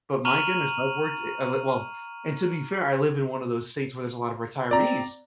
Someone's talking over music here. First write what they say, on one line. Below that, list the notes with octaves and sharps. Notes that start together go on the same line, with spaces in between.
But my goodness, I've worked it of it well And to be fair, I live in one of those states where there's a lot of retirees,
A#5 C#6 F6 D#7 F7 F#7
C4 D5 A#5